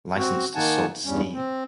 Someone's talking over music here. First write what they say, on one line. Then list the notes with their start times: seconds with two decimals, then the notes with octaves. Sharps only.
Licensed to Sault Ste.
0.16 C4 F#4
0.55 D#3 A#3 D#4 F#5 G#5 A5
1.05 E2 G2 G3 C#4
1.33 C4